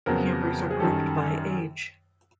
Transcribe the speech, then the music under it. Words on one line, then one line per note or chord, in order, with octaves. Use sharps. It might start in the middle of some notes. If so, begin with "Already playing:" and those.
Campers are grouped by age.
F2 C#3 F#3 B3 A#4
G#4
F#2 D#3 G3 A4